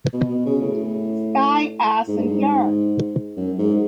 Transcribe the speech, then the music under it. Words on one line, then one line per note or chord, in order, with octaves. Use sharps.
Sky, Ass and yarn!
B2
B2
C#3
A2
G#2
G2
G#2
F#2
G#2